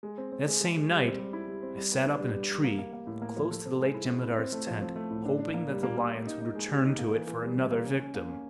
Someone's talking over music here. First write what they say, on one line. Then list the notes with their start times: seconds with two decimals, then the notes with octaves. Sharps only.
That same night I sat up in a tree close to the late jemadar's tent, hoping that the lions would return to it for another victim.
0.03 G#3
0.18 C4
0.32 C4
0.47 G#3
0.61 G#3
0.76 G#3
0.90 G3
1.04 C4
1.19 G3
1.33 E4
1.48 G3
1.62 C4
1.77 G3
1.92 B3
2.06 D4
2.20 G3
2.35 G3
2.49 G3
2.64 A#3
2.79 A#3
2.93 A#3
3.07 A2
3.22 A#3
3.37 F3
3.51 A4
3.65 C4
3.80 G#3
3.94 E4
4.09 C4
4.23 E4
4.38 C4
4.52 A3
4.67 F3
4.81 C4
4.96 A3
5.11 A2
5.25 D4
5.39 D4
5.54 A#3
5.69 G3
5.83 A#3
5.97 A#3
6.12 G4
6.27 D#4
6.41 D#4
6.55 G#3
6.70 G4
6.84 D#4
6.99 A#3
7.14 E3
7.27 E3
7.42 G3
7.57 G3
7.71 A#3
7.86 C#4
8.00 C#4
8.14 A#3
8.29 C#4